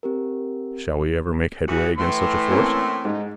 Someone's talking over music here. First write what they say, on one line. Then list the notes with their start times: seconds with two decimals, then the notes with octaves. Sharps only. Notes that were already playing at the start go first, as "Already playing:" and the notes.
Shall we ever make headway against such a force?
0.03 C4 G4 A#4
1.67 E2 E3 F#4
1.99 A2 E3 A3 C6
2.51 A#3 C4 C#4
3.05 G#2 D#4